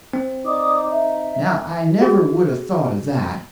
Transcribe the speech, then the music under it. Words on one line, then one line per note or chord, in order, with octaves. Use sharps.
Now I never would 'a' thought of that.
C4
D#4 D5 D6 D#6
E5
F#4 G#4